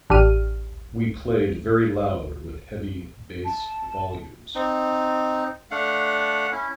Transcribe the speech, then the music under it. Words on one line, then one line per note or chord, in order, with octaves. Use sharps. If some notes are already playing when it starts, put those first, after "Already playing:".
We played very loud with heavy bass volumes.
A1 D4 G4 F6 D#7
A5
C4 D#4
A3 D4 F5 F#5
C#4 E4